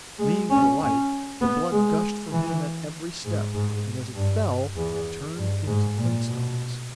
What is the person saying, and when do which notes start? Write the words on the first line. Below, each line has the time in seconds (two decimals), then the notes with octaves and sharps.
Fleeing for life, the blood gushed from him at every step, and as it fell turned into flint-stones.
0.19 G#3
0.50 C#4
0.81 C#4
1.41 B3
1.71 G#3
2.32 E3
3.24 G#2
3.53 G#2
4.15 G2
4.76 E2
5.36 G2
5.67 G#2
5.97 A#2
6.27 B2